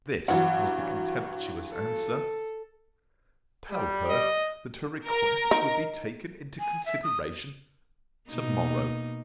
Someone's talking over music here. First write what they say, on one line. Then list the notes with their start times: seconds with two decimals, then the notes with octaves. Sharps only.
This was the contemptuous answer: 'Tell her, that her request will be taken into consideration to-morrow.'
0.28 G2 E3 F#3 F#4 F#5
1.71 A4
3.71 G3
4.09 D#5
5.06 A#4
5.51 D#4
6.60 G#5
6.86 E5
7.03 D#6
8.29 B2 A#3 D#4